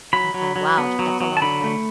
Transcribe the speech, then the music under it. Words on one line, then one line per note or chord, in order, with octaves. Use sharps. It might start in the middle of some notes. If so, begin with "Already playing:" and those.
Okay. Wow. Sh that's a lotta kids.
F#3 B5
F#3
F#3
B3
F#3
F#3
A5
D3 B5
A3